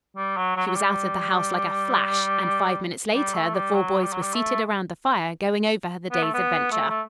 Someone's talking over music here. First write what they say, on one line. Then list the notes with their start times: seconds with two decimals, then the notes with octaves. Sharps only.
She was out of the house like a flash, and five minutes later the four boys were seated around the fire going over the day's adventure.
0.17 G3
0.37 F#3
0.56 F#3
0.66 F#3
0.76 G3
3.14 G3
3.34 A3
3.54 G3
3.74 F#3
4.04 G3
4.13 F#3
4.22 G3
4.34 A3
6.12 B3
6.23 A3
6.34 B3
6.71 A3
6.89 A3